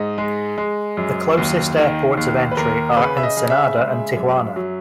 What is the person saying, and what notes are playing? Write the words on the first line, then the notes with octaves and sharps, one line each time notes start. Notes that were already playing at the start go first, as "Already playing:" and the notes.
The closest airports of entry are Ensenada and Tijuana.
Already playing: G#2 D#5
G#3
G#3
F#2
D#2
D#3
D#2
B4
D#2 A#4
C#3 B4
E5
D#5
C#3
E5
G#3
F#2
F#3